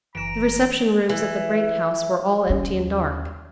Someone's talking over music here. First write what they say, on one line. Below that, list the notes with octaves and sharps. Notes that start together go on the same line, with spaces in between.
The reception-rooms at the great house were all empty and dark.
F#1 E3 A#5 D7 E7
E3
D#2 C#4